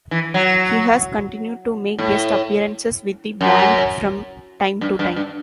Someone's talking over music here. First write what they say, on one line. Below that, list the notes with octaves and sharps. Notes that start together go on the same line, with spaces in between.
He has continued to make guest appearances with the band from time to time.
E3
F#3
A2
F#2
G2
G2
G2